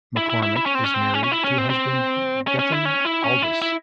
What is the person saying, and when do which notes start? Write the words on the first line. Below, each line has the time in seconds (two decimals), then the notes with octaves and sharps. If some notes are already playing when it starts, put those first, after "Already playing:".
McCormick is married to husband Gethin Aldous.
0.17 E4
0.30 E4
0.42 E4
0.56 E4
0.66 C#4
0.75 C4
0.84 C#4
0.94 C4
1.14 C#4
1.24 C#4
1.32 E4
1.44 C#4
1.58 C4
1.70 C4
2.47 C#4
2.59 C#4
2.72 E4
2.85 C#4
3.05 E4
3.24 C#4
3.42 E4
3.62 E4